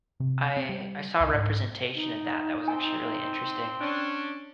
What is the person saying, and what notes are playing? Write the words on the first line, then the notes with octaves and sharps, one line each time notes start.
I I saw a representation of that that was actually really interesting,
C3
C4
G3
C2
G#2
D#4
C4 G#5
C#4 D4